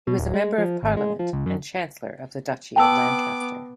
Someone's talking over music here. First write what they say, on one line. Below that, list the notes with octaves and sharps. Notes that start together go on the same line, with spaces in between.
He was a member of parliament and Chancellor of the Duchy of Lancaster.
B2
D1
G#3
F3
G#1
G#3
F3
C#2
F#2
B3 G5 A5 D6 E6